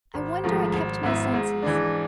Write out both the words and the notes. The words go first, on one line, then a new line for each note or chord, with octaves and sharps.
I wonder I kept my senses.
G#1
G#2 F3 A3
G#1
G#2 G#3 B3 E4
G#2
E3 G#3 D4